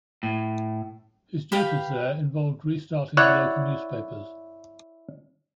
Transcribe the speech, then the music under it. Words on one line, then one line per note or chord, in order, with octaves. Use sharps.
His duties there involved restarting the local newspapers.
A2
G4 B4 F5 G5
E4 C#5 D5 F#5